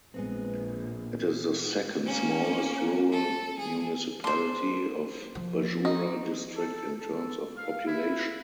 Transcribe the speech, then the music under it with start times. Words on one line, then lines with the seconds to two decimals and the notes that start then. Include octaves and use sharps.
It is the second smallest rural municipality of Bajura district in terms of population.
0.14 A#1 G#3 B3 C4
2.06 A#3 C#4
3.12 A4
3.58 G#4
4.24 D4 C5 C6
5.35 F3
5.85 D#4
6.56 A4
6.98 A4
7.55 F5
7.86 E4